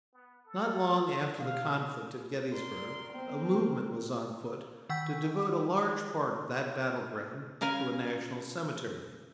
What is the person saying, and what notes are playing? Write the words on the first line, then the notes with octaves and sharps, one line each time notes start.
Not long after the conflict at Gettysburg a movement was on foot to devote a large part of that battle-ground to a national cemetery.
B3
A4
B2 F5
A#4 D5 C6
B3 C4
D#3 F#5 E6 G6 B6
C#3 A#4 F5 G#5